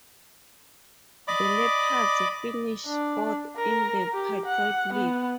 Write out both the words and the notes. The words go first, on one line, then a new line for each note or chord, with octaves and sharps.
The Leopards finished fourth in the Patriot League.
D5 D#5 B5 D6
D4
A#4
G4
F#5
B3